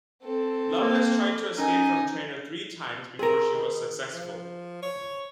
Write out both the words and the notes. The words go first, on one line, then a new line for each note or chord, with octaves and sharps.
Lovelace tried to escape from Traynor three times before she was successful.
C4 A4
A#3 A#4 C5
C#4 D#4 A#4 D#5 G#5
C4 G#4 A#4
D#3
F3
C#5